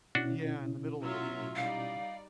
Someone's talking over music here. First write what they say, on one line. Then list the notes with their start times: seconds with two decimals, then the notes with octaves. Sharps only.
Yeah, in the middle of it. Yeah.
0.15 B2 C#4 D4 E4 F#4
1.01 F#3 F4 E5
1.56 G3 D#4 D5 F5